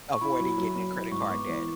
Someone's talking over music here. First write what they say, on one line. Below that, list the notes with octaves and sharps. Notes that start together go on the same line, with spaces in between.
avoiding getting in credit card debt.
C#6
E4 B5
F#3
F#3
F#3
E4
G#2 C#6
D6
B3 C#6
E3